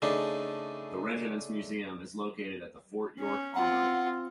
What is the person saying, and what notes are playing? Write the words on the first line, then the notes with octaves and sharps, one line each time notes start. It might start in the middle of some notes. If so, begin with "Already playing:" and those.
The regiment's museum is located at the Fort York Armoury.
C#3 A3 D4 D#4
C#4
C4 F4 F#5